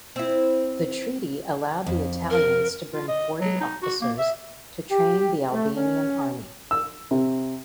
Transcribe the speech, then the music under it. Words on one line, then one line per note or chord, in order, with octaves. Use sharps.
The Treaty allowed the Italians to bring forty officers to train the Albanian army.
C4 E4
F2
A#4
F4
D#5
F#3
D#4
F#4
A#3
E5
G4
A3
C#4
E6
C3